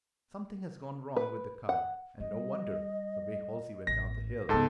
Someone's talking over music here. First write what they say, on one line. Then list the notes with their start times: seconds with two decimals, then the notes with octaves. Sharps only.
"Something has gone wrong with the car, and no wonder--the way Halsey went down the hill."
1.17 B4
1.69 F#5
2.20 G3 D#5
3.87 A1 A#6
4.49 C#2 G#2 B3 A4 A5